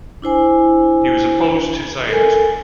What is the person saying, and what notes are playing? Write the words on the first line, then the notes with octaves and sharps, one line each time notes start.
He was opposed to Zionism.
D4 E4 C5 G#5
A4 A#4 G#5